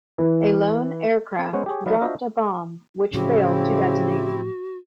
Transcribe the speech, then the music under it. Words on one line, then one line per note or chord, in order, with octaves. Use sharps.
A lone aircraft dropped a bomb, which failed to detonate.
E3
C4
G#3 B3 C#4 C5 C#5 F#5
G4 G#4 C#5
F#3 D#4 B4 F5
D4 F4 F#4 C5 D#5 E5
A2 C#3 F3 F#3 C4 E4 F#4 G4